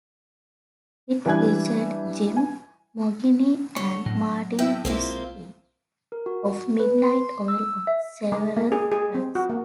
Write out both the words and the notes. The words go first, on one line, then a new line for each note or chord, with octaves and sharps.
It featured Jim Moginie and Martin Rotsey of Midnight Oil on several tracks.
E3 G3 D4 G#5 F#6 G#6
G#5
D3 C#5
A2 F#3
A2 E4 E5 G5
B1 G#3 A#3 C4 E4 F4
A#4
F#4
B4
C6
E6
E5
G#3
A#3
G#4
G#4
C4
F#4
A#3